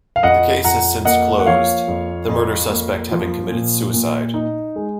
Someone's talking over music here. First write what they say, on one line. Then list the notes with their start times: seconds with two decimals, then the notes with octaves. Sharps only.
The case has since closed, the murder suspect having committed suicide.
0.16 F5
0.23 F2 D#5 F#5
0.64 F2 F#5 A#5
1.05 A#3 D#5 F#5
1.39 F#5
1.46 F3 C#5 F5
1.88 F2
2.29 F2
2.70 A#3
3.11 F3
3.52 A#2
3.94 A#2
4.34 D#4
4.76 G#3